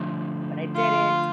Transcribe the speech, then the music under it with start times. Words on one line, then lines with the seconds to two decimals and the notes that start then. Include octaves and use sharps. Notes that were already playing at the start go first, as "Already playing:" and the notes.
but I didn't,
Already playing: D3 F3 A3
0.75 F4